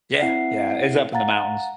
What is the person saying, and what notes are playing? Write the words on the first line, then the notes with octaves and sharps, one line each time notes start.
Yeah, yeah, it's up in the mountains
C4 E4 E5 F#5 C7
F5 F#5 A#5 A6